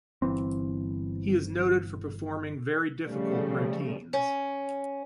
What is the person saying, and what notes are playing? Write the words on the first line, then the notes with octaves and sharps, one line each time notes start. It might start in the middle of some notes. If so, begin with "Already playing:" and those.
He is noted for performing very difficult routines.
G1 E3 C4
C#3 F3 G3 A3
C#4